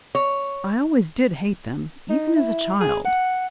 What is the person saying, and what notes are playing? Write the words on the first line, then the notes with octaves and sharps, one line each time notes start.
I always did hate them, even as a child.
C#5
D#4
E4
G#4
F#5